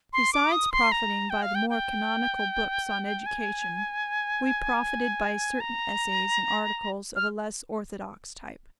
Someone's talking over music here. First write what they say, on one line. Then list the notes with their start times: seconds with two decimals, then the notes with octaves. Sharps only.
Besides profiting by the more canonical books on education, we profited by certain essays and articles of a less orthodox type.
0.13 C6
0.33 D6
0.52 D#6
0.72 C6
0.92 A#5
1.30 G5
1.42 F5
1.55 G5
1.70 G5
3.26 G#5
5.60 A#5
7.16 F6